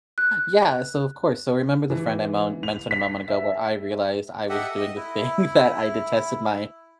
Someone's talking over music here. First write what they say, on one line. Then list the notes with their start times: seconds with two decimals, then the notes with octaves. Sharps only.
Yeah. So, of course. So, remember the friend I mon mentioned a moment ago, where I realized I was doing the thing that I detested my
0.18 F#6
1.90 E3
2.63 F7
2.91 B6
3.28 E5
4.49 G4 A4 D#5 E5 F#5
4.77 D#5
4.97 E4